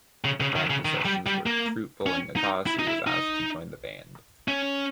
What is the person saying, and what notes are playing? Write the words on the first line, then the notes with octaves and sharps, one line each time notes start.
The practice sessions were fruitful and Nastasi was asked to join the band.
C#3
C#3
D#3
C#3
D#3
G3
G3
A#3
C#4
D#4
E4
D#4
E4
D#4
C#4